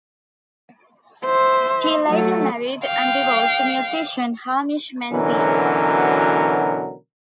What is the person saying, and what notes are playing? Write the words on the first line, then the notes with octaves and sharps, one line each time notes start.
She later married and divorced musician Hamish Menzies.
C5 E5
F#3 A3
F5 G5
B2 D3 E3 F#3 C#4 A#4